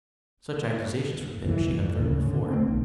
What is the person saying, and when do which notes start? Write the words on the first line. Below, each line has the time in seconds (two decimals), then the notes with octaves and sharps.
Such accusations from him she had heard before.
1.43 E1 C#2 E3
1.71 F2
1.99 D2 G#2 C#3
2.27 D3
2.51 A3 C4
2.67 B1 D#3